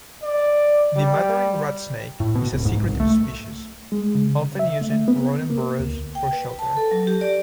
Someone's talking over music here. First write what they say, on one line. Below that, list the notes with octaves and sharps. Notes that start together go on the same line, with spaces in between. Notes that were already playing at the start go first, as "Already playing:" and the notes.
The Mandarin rat snake is a secretive species, often using rodent burrows for shelter.
D5
G3
A2
B2
D1
G#2
C2
A3
G#3
C#3
E5
A3
B3
A#3
D2
G5
B4
A5
A4
F#3
G4
D5